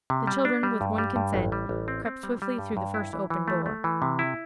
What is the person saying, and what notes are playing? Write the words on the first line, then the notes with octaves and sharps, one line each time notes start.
The children with one consent crept swiftly through the first open door.
C3
G3
D4
G3
G2
G3
G2
A1
G3
A1
C4
C4
G3
G3
G2
G2
E4
E3
E3
A3
A3
E3
C3
E4